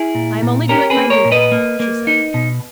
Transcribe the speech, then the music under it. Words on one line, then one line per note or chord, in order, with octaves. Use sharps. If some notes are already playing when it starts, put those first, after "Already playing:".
"I am only doing my duty," she said.
Already playing: E4 G#4
A#2
A#2
C#4 G4 A#4
G#4 B4
A#3
A#4 C#5
A#2
B4 D#5
A#3
A#3
D#4
B2